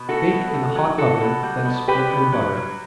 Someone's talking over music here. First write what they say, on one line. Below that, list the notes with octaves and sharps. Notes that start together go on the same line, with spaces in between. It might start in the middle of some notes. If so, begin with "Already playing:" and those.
Bake in a hot oven, then split and butter.
Already playing: B2
A3 F#4 A4
B2
A3
F#3
F#3 F#4 A4
B2
G3
B2
G3 G4 B4
B2
F#3
F#3